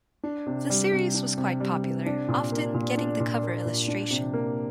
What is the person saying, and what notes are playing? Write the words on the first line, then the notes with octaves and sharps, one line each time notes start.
The series was quite popular, often getting the cover illustration.
D4
C3
G3
C3
D4
C3
G3
C3
D4
A#2
A#3
A#2
D4
A#2
A#3
A#2
D4
C3
A#3